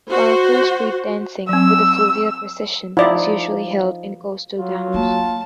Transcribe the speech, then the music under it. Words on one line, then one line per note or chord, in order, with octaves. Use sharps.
"Karakol" street dancing with a fluvial procession is usually held in coastal towns.
F#4 C5
F#3 C4 E6
F3 D#4 E4 D5
F#3 F4
A#3 A5